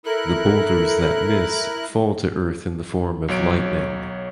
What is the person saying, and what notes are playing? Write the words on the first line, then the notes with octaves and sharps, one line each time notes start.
The boulders that miss fall to earth in the form of lightning.
E4 A4 A#4 F#6
B1 F#3 C#5 D7